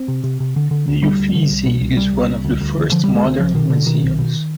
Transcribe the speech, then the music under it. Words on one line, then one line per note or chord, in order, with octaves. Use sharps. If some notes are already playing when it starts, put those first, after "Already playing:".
The Uffizi is one of the first modern museums.
Already playing: C4
C3
C3
C3
D3
D3
D2
D2 G3
D2
D3
C2
B2
C2
C2 G3
C2
C2
D2
D2
D2
D3 F3
D2 G3
G#3
D2 C4
B1 F3
B2 D#3
B2 D3
B2 D#3
B1
B2